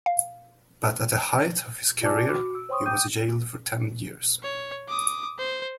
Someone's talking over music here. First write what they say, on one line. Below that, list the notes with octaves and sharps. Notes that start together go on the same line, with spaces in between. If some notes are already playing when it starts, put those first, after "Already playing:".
But at the height of his career, he was jailed for ten years.
F5
F4 G#4 D5 G#5 A5 D6
F#4 D6
E6
C5 C#5 G5 C6 C#6 D#6
G5 D6 D#6 G6 D#7
C#5
D6 D#6
C5